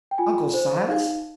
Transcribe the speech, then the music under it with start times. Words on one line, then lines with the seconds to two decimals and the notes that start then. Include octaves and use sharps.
Uncle Silas?
0.11 G5
0.18 F4 G#5
0.54 C5
0.89 D#4 F5